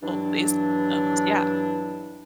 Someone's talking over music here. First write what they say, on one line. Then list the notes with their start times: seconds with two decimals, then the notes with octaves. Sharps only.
"Hold, please." Um, s yeah.
0.03 G2 E3 F#3 D4